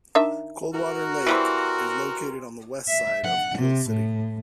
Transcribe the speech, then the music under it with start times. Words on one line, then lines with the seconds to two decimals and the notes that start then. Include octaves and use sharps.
Coldwater Lake is located on the west side of Beal City.
0.15 D#3 D4 E5
0.74 F#4 A#4
1.26 E3 G3 C4
2.88 E5
3.24 F#5
3.58 C3
3.90 A2